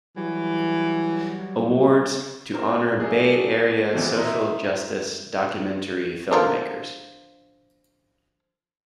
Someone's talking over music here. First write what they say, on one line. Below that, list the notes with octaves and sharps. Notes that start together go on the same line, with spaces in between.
Awards to honor Bay Area social justice documentary filmmakers.
E3 F#3 G3
C4 A#4
F#3 A3 D4 G#4
E2 D#3 E3 F#3 A3
E4 C5 D#5 E5 A#5
D3 F3 A#4